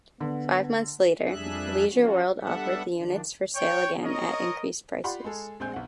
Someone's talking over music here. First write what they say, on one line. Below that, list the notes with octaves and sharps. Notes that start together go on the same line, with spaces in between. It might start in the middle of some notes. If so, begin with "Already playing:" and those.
Five months later, Leisure World offered the units for sale again at increased prices.
D3 B3
F2 G3 D4 G#4 E5 F#6
F3 C#4 F4 F#4
G3 B3 D4 A4 E5 F#5
D#3 F3 D4
C#5 G5
A#4 C#5 D#5
F4 G4 D5 F#5 B5 C6
G#3 G#4 A4
A#1 G#3 C4 G#5 G6
B1 F#5